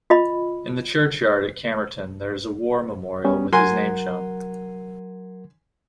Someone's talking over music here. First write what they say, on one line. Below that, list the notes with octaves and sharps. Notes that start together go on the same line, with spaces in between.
In the churchyard at Camerton there is a war memorial with his name shown.
F4 D#5 B5
G3 B3 C#4
F#3 A#4 F#5 G#5 C6